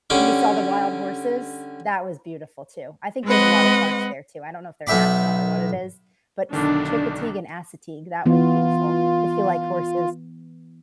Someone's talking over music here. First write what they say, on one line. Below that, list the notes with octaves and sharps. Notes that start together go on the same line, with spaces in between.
and we saw the wild horses. That was beautiful, too. I think there's a lot of parks there, too. I don't know if they're national, or what it is, but S Chickateague and Assateague, that was beautiful, if you like horses.
D3 G3 C#4 D6
G#3 C4 B4 D#5 F#5
B1 B3 E5 G5 B5 D6
B1 D3 D#3 D4
E3 B3 F4